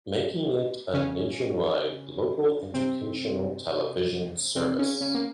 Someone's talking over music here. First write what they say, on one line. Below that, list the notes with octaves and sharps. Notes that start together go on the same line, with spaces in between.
Making it a nationwide local educational television service.
C#3 C#4
C3 C4
C3 C4
C#3 C#4
C#3 C#4
A#3